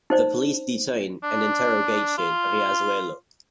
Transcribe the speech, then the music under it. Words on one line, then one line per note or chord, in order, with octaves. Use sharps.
The police detained and interrogated Riazuelo.
D#4 C5 D5
D4
F4